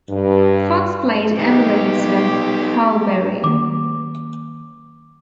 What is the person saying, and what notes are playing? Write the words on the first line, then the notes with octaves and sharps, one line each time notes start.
Fox played Emily instead of Halle Berry.
G2
B3 D#4 G4
D#3 A#3 D6